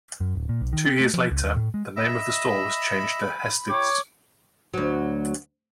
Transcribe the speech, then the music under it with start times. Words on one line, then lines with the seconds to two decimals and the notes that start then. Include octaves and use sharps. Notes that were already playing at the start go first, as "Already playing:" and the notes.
Two years later, the name of the store was changed to Hested's.
0.20 F#2
0.35 D1
0.49 A#2
0.61 B1
0.73 D#3
0.86 C4
1.00 A3
1.14 F3
1.31 C#2
1.44 D#2
1.56 A2
1.74 G#3
1.96 D#5 E5 B5 E6
3.69 E4 G4 C#5 D6
4.74 D2 F#3